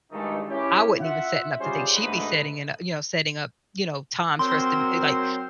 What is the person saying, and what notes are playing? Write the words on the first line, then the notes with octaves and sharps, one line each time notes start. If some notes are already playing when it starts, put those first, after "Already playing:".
I wasn't even setting up the thing. She'd be setting it u you know, setting up, you know, times for us to eh, like,
G2 D#3 E3 G#3 A3 D#4
C#4 E4 G4
F4 E5 F#5
G3 C#4 F4 G#4 C5
D2 G#2 D3 A3 D#4 B4
F#3 C4 A#4 C5 C6